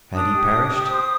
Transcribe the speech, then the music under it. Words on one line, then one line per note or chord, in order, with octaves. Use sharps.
Had he perished?
D4 D#6
G4
D4
G4
C5